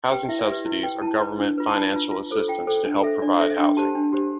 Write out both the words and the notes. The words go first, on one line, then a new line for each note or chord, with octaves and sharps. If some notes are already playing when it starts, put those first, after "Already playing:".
Housing subsidies are government financial assistance to help provide housing.
G4 B4 G5
E4 E5
D5
G4 B4 E5
E4
B4 G5
E4 A5
B4
D4
F4 B4
A5
D4 B5
F4 B4
F4
A4 C5
F4 G5
A4 C5 G5
D4
A4 C5 E5
D4 D5
A4 C5 E5
D4 G5
G4 C5 A5
D4
G4 C5